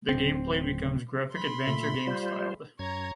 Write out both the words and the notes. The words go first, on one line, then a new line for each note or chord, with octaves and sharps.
The gameplay becomes graphic adventure game styled.
D1 C4
B5 C6
A#2 A3
G3 F4 C5
F#2 C#5 A#5 G#6